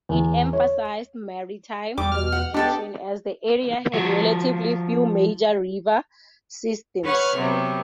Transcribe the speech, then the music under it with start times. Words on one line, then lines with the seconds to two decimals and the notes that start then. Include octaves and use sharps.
It emphasized maritime orientation, as the area had relatively few major river systems.
0.09 E2
0.53 C#5
1.98 E2 G3 D6
2.12 B2 F6
2.32 F#5
2.54 B3 D4 G4 A4 D#5 G5 A5
3.94 F3 F#4
7.04 B4 C#5 F#5 F6
7.37 C3 F#3 G3 B3